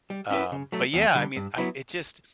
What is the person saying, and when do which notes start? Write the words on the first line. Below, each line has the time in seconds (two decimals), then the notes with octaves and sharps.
Um, but yeah, I mean, I it just
0.10 G3
0.30 C#4 E4 B4
0.52 C#3
0.72 F#3 A3
0.94 E2
1.15 D3 G3
1.36 G2
1.58 F#3 B3 E4